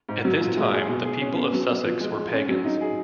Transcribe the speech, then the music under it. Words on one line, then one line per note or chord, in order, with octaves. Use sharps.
At this time the people of Sussex were pagans.
G#2
F#3
A#2
G#3
G#4
B2
G#4
C#4
B3
F#3
B3
F3
G#3
G#3
C#4
F#3
D#4
G#4